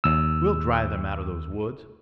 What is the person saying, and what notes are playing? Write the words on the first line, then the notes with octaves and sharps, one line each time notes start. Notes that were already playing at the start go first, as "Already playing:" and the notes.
"We'll drive them out of those woods."
D#2 E6